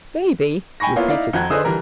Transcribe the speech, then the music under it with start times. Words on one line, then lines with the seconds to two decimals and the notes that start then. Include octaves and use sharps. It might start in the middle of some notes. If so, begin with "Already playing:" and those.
"Baby!" repeated the boy.
0.80 G5 G#5 B5 C#6 A#6
0.96 A#3 B3 E4 F4 C#5
1.08 D#4 E4 D5 F5
1.33 F2 C4 F#4 A#5 F#6 G#6
1.50 G#4 B4 C5 D#5 D#6 E6
1.65 D3 E3 G3 D4 A#4